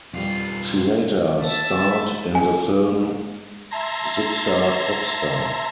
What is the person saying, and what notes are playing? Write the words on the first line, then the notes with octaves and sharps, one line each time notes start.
She later starred in the film "Xuxa Popstar".
B1 F2 G3 F4
E5 A5
G#5
E5 A5 A#5 C6 G#6 A#6